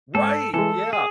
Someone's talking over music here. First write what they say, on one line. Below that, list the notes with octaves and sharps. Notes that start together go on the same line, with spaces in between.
Right! Yeah.
G#2 A4
E3 G#3 A4
G#4